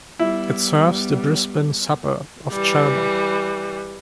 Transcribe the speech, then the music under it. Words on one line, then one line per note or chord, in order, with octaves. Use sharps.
It serves the Brisbane suburb of Chelmer.
G3 B3 E4
E3 G3